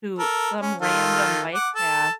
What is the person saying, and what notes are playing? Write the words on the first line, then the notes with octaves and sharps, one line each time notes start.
to some random bike path,
A4 A#4
C#4
D#3 F4 A4
F#5 D6
A4 A5